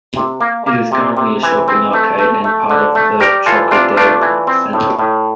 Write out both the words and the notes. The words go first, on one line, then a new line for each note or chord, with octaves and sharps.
It is currently a shopping arcade and part of the Trocadero Centre.
C3
A#3
A#3
C3
C3
E3
C4
A3
A3
A3
D3
A3
G3 G4 A#4
E3 F4 A4
C3 D4 F4
A3 D4 F4
E3
C4
A2
A2